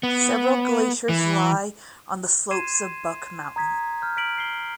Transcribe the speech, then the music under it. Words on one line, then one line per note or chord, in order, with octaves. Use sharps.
Several glaciers lie on the slopes of Buck Mountain.
B3
E3
C6 G#6 C7 D#7 E7
A#5 D#6 G#6 B6
F6 G6
F6 B6 D7 F#7
C7 G7